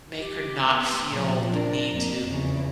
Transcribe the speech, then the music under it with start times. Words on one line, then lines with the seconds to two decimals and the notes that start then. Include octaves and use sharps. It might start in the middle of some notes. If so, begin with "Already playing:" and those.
make her not feel the need to
0.20 G4
0.67 B3
1.11 A#2 F3
1.51 D4 A#4
1.92 F2 A#3
2.26 E2 C#3